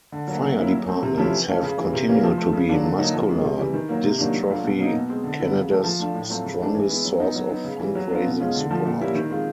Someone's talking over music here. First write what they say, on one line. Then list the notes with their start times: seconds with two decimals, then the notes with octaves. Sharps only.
Fire departments have continued to be Muscular Dystrophy Canada's strongest source of fund-raising support.
0.12 D3
0.28 F#3 A#3
0.43 F#3
0.58 A#3 C#4 E4
0.72 F#3
0.87 A3 C4
1.03 C3
1.18 F3 A3 C#4 E4
1.32 E3
1.48 A3 C#4 F4
1.63 C#3
1.78 E3 G3
1.93 C3
2.08 E3 G3 A#3 C#4
2.23 F3
2.38 A3 C4
2.53 C#3
2.69 F#3 A#3 D4 F4
2.83 D3
2.98 F#3 A#3 D#4
3.14 F3
3.29 G#3 B3
3.43 C3
3.58 E3 G3
3.74 D#3
3.89 F#3 A#3
4.04 C3
4.18 D#3 F#3 A#3 D4
4.34 F#3
4.49 A3 D4 F4
4.63 B2
4.79 F#3 A#3 D#4
4.94 B2
5.09 G#3 C4
5.24 D3
5.39 F#3 B3 E4
5.54 C#3
5.69 E3 A3
5.84 F3
5.99 A3 D4 F4
6.14 A2
6.30 F#3 A3 C4 F4
6.45 C#3
6.60 E3 A3 D4
6.75 E3
6.89 G#3 B3 E4
7.05 F#3
7.20 B3 D#4
7.35 F#3
7.50 B3 D#4
7.64 C#3
7.79 E3 G3
7.95 F#3
8.10 B3 D4 F4
8.25 B2
8.40 G#3 C#4 F4
8.55 D3
8.71 F3 A3
8.85 A#2
9.01 G3 A#3 C#4 E4
9.15 D#3
9.30 G#3 C4 F4